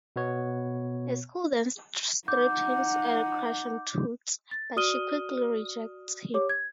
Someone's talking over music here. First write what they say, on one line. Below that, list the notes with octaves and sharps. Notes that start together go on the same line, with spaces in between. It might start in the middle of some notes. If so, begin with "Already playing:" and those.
A school-dance strip hints at a crush on Toots, but she quickly rejects him.
B2 B3 C#5
D#4 F#5 D6 G6
A6
F#4 D5 D#6 F6 D#7 G7
G4 C#5 D6
G#6